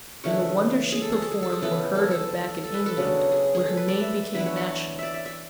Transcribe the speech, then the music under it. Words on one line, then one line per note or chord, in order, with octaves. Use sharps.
And the wonders she performed were heard of back in England, where her name became national.
C#3 E3 A3 D4 C#5
G#4
A4
G#4
A4
G#4
A4
G#4
C#3 E3 B3 A4
G#4
A4
G#4
A4
A4
B4
A4
C#3 F#3 B3 D4
G#4
G#4
A4
B4
D5
E5
E3 B3 D4 E5
C#5
C#5
D5 E5
E5
E5